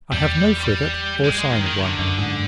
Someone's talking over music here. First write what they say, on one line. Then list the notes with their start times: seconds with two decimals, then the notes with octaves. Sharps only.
I have no frigate, or a sign of one.
0.12 E2 G3
1.24 G#3
1.39 G#3
1.52 D#3
1.67 D#3
1.81 D3
1.99 F#2
2.18 G#2